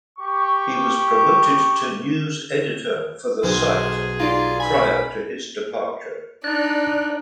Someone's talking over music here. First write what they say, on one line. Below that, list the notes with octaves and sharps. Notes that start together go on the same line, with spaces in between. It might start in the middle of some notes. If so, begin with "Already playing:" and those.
He was promoted to news editor for the site prior to his departure.
G4 C#6
B1 G#4 C5 F6
D#4 F4 D5
G#5 B5
D4 D#4 D5 F#6